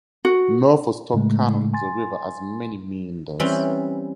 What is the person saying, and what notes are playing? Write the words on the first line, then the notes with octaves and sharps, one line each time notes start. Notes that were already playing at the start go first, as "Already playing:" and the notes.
North of Stoke Canon the river has many meanders.
F#4
A2 C#3 G#3 A3
G#5 C6 A6
E3 G3 C4 C#4